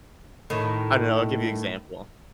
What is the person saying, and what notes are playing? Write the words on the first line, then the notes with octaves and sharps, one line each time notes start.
I don't know, I'll give you example.
A2 D#3